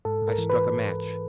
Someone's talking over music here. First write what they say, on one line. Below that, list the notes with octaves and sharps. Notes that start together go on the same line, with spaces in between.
I struck a match.
G#2 A4
G#2
A#4
E3
B4